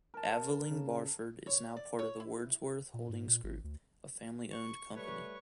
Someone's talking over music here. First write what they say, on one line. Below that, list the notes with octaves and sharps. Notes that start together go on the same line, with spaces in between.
Aveling-Barford is now part of the Wordsworth Holdings Group, a family-owned company.
A#4 A5
C#3
C#5
D5
C#5
E4
A#2
G#2
A#2
G#1
D2
C#6
G3 A3 B4 C#5 C#6